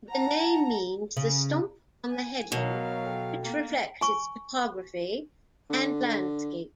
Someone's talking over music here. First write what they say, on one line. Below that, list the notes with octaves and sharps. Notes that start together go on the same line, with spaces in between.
The name means 'the stump on the headland', which reflects its topography and landscape.
F#5 A5 A#5
C#3
G#5
B2 F#3 A#4 C#5 F5 A#5
A4 G5
A#3
G#5 C#6
D3